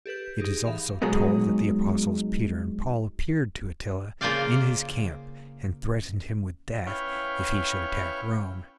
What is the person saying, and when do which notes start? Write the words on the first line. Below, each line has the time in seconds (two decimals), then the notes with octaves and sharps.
It is also told that the apostles Peter and Paul appeared to Attila in his camp and threatened him with death if he should attack Rome.
0.06 G4 A4 B4 G6
0.38 D#4 G4 G#4
0.66 E3 E5 F5
1.02 G#2 B2 F#3 G#3
4.21 C#3 A#3 F4 C5 D5 F5
6.87 C#4 E4 B4 C#5 F5 G5